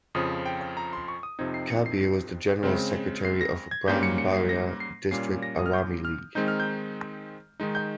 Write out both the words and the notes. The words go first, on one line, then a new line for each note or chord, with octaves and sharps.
Kabir was the general secretary of Brahmanbaria District Awami League.
F2 C#3 F3 D#6
G5
A#5
C6
C#6
D#6
F2 C3 F3 C4 D#4 G#6
C7
C#7
C7
C7
C#3 G#3 C4
C7
A#6
G#6
G#2 G3 A#3 C#4 G6
C#7
C#7
C7
A#6
C7
A#2 G3 A#3 C#4 C7
A#6
D#6
F6
G6
F6
D#3 G#3 C4 D#4 G6
F6
G6
D#3 G#3 D#4
G6